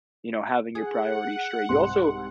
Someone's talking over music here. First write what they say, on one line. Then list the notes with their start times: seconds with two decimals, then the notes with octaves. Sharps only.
you know, having your priorities straight. You also
0.75 G#4 F#5
1.69 C2 G#2 C6